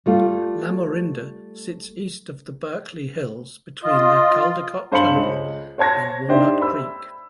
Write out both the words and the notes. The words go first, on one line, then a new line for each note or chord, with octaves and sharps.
Lamorinda sits east of the Berkeley Hills between the Caldecott Tunnel and Walnut Creek.
G3 A3 F4
F4 D#5
G2 C5 F5 B5 C#7 F#7
C#2
C5 C#5 A5 G#6 A#6
D4 D#4 G4 C5 D5 E5
B5 E6